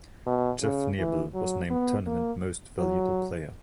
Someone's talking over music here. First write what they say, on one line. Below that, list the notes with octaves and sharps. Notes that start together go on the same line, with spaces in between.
Jeff Nebel was named Tournament Most Valuable Player.
B2
C#3
E3
F#3
B3
A#3
F#3